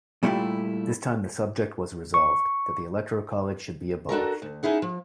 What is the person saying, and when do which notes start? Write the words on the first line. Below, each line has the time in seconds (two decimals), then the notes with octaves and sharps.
This time the subject was Resolved: That the Electoral College Should be Abolished.
0.23 A#2 G3 A3 E4 F4 G4
2.14 C#6
4.09 D4 F#4 A4 A#4
4.42 D2
4.63 C#4 D#4 E4 G#4 F#5
4.82 F3